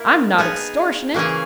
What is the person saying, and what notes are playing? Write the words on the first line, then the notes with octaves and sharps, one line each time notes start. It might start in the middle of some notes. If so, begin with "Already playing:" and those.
I'm not extortionate.
Already playing: A#3 E4 A#4 E5
B3 D#4 G#4
C#3 E3 A#3 C#4 G#4